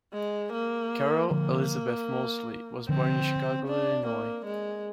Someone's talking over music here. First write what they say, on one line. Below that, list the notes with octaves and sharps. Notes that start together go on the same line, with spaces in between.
Carol Elizabeth Moseley was born in Chicago, Illinois.
G#3
A#3
D3 F3 A#3
D3 F3 C4
D4
A#3
G#3